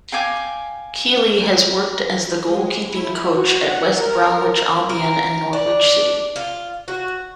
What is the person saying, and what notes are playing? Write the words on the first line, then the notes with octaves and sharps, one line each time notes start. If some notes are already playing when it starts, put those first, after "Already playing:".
Kiely has worked as the goalkeeping coach at West Bromwich Albion and Norwich City.
F5 G5 G#5 D6
A4
G#3
E4
F#4
F#5
A#4
A#4
D4
F4
F#4